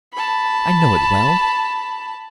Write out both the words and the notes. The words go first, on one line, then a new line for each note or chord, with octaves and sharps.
I know it well.
A5 B5